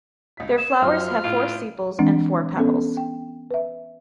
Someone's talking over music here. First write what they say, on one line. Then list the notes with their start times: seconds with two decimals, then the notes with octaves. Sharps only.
Their flowers have four sepals and four petals.
0.37 C#2 B6
0.58 D#6 G#6 E7
0.82 F#2 F3 F#3 F6
1.24 A2 F4
1.99 E3 G#3 C4 D4
2.57 B3 C#4 A4
2.97 G5
3.51 B4 E5